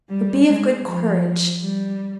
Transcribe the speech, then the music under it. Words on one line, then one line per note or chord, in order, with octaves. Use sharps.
But be of good courage.
G3
G#3
F3
G3